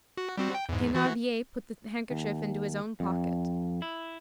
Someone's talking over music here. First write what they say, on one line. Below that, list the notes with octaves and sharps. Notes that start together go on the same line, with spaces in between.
Thenardier put the handkerchief into his own pocket.
F#4
G3 C4 F#4
G5
E2 G#2
E3 F#4
D#2
F2
E4